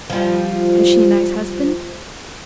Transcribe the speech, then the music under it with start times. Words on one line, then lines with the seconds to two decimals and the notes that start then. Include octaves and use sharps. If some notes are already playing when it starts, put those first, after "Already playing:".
"Has she a nice husband?"
0.10 F3 G3